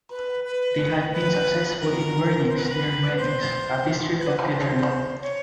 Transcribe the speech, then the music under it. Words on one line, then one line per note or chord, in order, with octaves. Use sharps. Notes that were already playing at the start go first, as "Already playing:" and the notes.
They had been successful in Wernings near Wenings, a district of Gedern.
B4
B4
B4
A#4
C5
B4
A#4
B4
C5
B4
C5
C#5